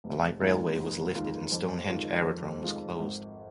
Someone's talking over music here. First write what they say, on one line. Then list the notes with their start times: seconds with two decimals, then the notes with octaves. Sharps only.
The light railway was lifted and Stonehenge Aerodrome was closed.
0.04 F1
0.40 D#2 D#3 G#3 F4
0.77 F1
1.15 D#2 D#3 G#3 F4
1.52 F2
1.89 D#3 G#3 F4
2.26 F2
2.63 D#3 G#3 F4
3.00 G#1